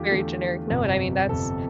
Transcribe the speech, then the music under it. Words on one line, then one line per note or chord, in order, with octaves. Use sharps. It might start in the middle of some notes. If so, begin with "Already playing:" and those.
very generic. No, and I mean, that's
Already playing: E2 D3 A3 F4 G4
E2 D3 A3
G1 F2 C3
G1 F2 C3 A4